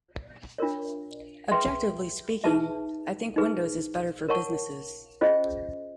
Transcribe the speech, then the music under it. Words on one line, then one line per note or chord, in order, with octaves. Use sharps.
Objectively speaking, I think Windows is better for businesses.
D4 F4 A#4 C#5
G#4 B4 E5 G5 C6
D#4 G#4 B4 E5 A5
D#4 G#4 B4
A#4 C#5 F#5 A5 C#6
C#4 F4 G#4 C5 D#5